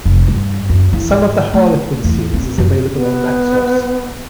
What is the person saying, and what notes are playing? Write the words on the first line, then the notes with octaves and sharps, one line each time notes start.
Some of the Harlequin series is available on Naxos.
F1
G2
F#2
E3
G#2
A3
E2
C4
F#2
B3